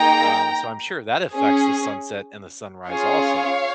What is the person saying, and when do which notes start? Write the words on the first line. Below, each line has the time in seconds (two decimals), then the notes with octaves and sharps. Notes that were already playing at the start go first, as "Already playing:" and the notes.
Um, so I'm sure that affects the sunset and the sunrise also.
Already playing: A#3 D#4 G#4 G5 A#5
1.32 C#4 G#4
2.89 C#4 F4 G#4 C#5 F5